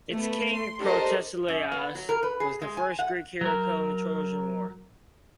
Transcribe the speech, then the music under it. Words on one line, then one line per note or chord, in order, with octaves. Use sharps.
Its king, Protesilaus, was the first Greek hero killed in the Trojan War.
A3 B3
C6
D4 G4 A4 A#4 C5 D#5
F#2
B3
F#3
A#4
B4
G#4
G#3
G#5
F#5
F#3 A#4